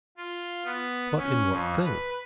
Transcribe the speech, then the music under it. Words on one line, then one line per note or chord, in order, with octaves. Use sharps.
But in what thing?
F4
B3
C#4
F2
B4